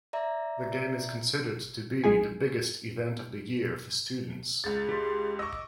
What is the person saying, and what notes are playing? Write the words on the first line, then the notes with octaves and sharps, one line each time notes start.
The game is considered to be the biggest event of the year for students.
D5 E5 A#5
B1 G#3 G#4 G#5
C#2 G#4 A6
G4 C6
D#5 C#6 D6 E6